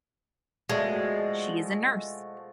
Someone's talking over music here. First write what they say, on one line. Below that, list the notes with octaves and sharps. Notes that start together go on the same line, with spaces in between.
She is a nurse.
B2 F3 G#3 A3 G#4 D5 E5